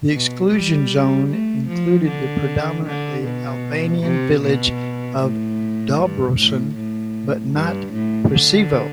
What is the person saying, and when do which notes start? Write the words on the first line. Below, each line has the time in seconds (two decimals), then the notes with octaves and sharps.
The exclusion zone included the predominantly Albanian village of Dobrosin, but not Preševo.
0.12 B2
0.51 G3
1.30 A3
1.68 F3
2.07 D3
2.86 D3
3.24 B2
4.03 C3
4.42 B2
5.20 A2
5.97 G2
6.36 A2
6.75 A2
7.53 G2
7.93 A2
8.32 D3